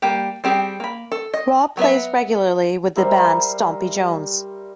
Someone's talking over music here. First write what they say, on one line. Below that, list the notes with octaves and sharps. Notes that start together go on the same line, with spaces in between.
Rob plays regularly with the band Stompy Jones.
G3 A#3 G4
G3 C4 G4 G#4
A#3 B5
A4
D#5
F#3 B3 B4 E5
G3 A#4 C5 E5